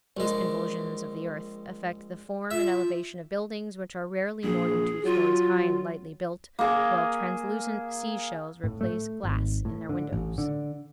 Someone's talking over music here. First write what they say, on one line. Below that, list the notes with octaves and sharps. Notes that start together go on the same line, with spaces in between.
These convulsions of the earth affect the form and elevation of buildings, which are rarely more than two stories high and lightly built, while translucent sea-shells replace glass in their windows.
A#1 G#3
F4 E5
A#1 G#4
F#3 F4
A#3 G#4 A#5
A2
A3
G#1
A2
D3
A1
D3